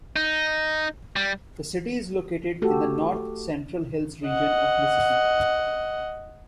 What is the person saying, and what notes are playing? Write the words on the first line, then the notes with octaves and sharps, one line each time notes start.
The city is located in the North Central Hills region of Mississippi.
D#4
G3
A3 F#4 G4 A4
D#5 F#5